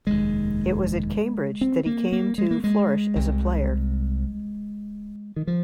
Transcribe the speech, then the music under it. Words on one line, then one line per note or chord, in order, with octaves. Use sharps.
It was at Cambridge that he came to flourish as a player.
F1 D#2 G#3
C4
A#3
A#3
G#3
A#3
G#3
C2 C3
D#3
F3